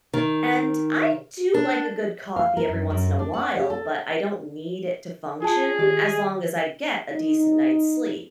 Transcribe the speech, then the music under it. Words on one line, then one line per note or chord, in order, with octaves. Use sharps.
and, I do like a good coffee every once in a while, but I don't need it to function, as long as I get a decent night's sleep.
D#3
D4
F5
A#4
F#2
F#2
D4
F#5
G4
A4
F4 G#4 A5
D#3 G4
D#4